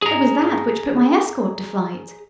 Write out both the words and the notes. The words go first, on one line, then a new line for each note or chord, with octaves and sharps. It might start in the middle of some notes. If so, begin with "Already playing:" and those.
"It was that which put my escort to flight."
G#4 A#5